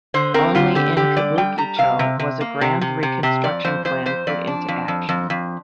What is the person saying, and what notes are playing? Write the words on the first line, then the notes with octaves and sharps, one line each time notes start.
Only in Kabuki-cho was a grand reconstruction plan put into action.
D3 C5
C4 A#4
D3 F4
D3 G4
D3 G4
G3 D5
G3 G5
G3 A#5
C3 F5
C3
C3
A#3
C3
C3
C3
C3
F2 D5
F2 C5
F2 C5
F2 C5
F2 D5
D4
F2
F2
F2
F2